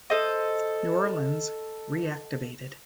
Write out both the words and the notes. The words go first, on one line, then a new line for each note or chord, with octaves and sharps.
New Orleans reactivated.
A4 C5 D#5